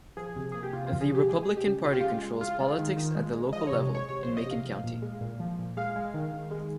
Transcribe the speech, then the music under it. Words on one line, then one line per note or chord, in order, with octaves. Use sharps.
The Republican Party controls politics at the local level in Macon County.
F3 G#4
C3
A#3 G#4
G4
C3 F4
F4
F3
G#4
C3 G4
G#3 G#4
G#3 G#4
G4
C#3
C#3 F4
G4
G#3 F4
G#3
G#3 F4
G#3
D#3
D#3
G#3
G#3
F3 D#5
C#5
C3
G#3 C#5
C3 C#5
F3 C5
D#5
C3 F5
F3
A#2
G#3
A#2
F3
A#2
G#3 F5
G#3
D#3
D#3
G#3